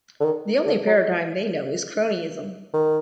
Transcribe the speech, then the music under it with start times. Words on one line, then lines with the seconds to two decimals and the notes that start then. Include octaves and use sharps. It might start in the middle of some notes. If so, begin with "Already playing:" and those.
The only paradigm they know is cronyism.
0.20 D3
0.24 D#3
0.66 D3
0.87 F#3
2.74 D#3